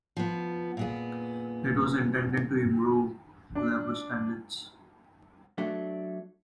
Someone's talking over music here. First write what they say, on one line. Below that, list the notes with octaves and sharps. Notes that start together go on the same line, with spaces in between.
It was intended to improve labor standards.
F3 B3
A#2 B3 G#4
D4
F#3 A3 D4